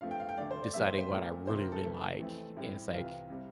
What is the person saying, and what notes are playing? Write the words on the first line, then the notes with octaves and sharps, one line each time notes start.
deciding what I really, really like and it's like,
G2 F3 A3 C4 F5
G5
F5
G5
D2 D3 A3 D5
C5
D5
F2 C3 G3 A#3 E5
C5
C5
A#2 A3 C4 A#4
D2 C3 F3 C5
A#4
A4
C2 C3 E3 A3
F2 E3 A3 C4
A2 G3 C4
C2 C3 E3 F4
C3 G3 C4